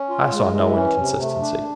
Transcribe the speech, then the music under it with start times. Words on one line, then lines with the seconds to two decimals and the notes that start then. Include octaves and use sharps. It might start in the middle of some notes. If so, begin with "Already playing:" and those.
I saw no inconsistency.
Already playing: C#4
0.10 F4
0.32 G#3
0.54 E3
0.76 C#4
0.98 C3
1.21 A3
1.41 D4